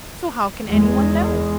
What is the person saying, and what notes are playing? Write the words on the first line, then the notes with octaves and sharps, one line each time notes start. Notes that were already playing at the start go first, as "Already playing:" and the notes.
So how can any one know?
E2 G#3